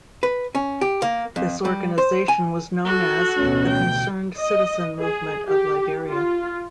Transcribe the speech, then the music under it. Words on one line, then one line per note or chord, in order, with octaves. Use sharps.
This organization was known as the concerned citizen movement of Liberia.
B4
C#4
G4
A#3
F2
G3
C5
G#5
F#4 A4
A1 D2 B2 C#4
G5
D#5
G#4
G4
F4